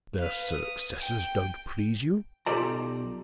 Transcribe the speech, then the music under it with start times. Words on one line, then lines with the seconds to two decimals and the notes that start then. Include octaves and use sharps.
"Their successors don't please you?"
0.17 B4 F5
0.50 D#6
1.01 G5
2.46 B1 F4 G4 A4 D5 A#5